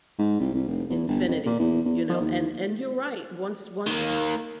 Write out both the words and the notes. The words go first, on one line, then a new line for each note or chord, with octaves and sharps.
infinity, you know? And and you're right, once once
G#2
C2
C2
F1
E2
G1
F2
A#2
E2
E2
F3
D#2
D#3 A#3